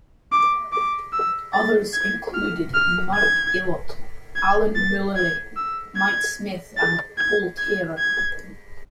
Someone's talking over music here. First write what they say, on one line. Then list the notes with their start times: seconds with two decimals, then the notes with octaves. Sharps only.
Others included Mark Ilott, Alan Mullally, Mike Smith and Paul Taylor.
0.32 D6
0.73 D6
1.13 E6
1.53 A6
1.94 G#6
2.34 F6
2.74 F6
3.15 G#6
4.36 G#6
4.76 A6
5.16 G#6
5.57 E6
5.97 G#6
6.78 A6
7.18 G#6
7.58 G#6
7.98 G#6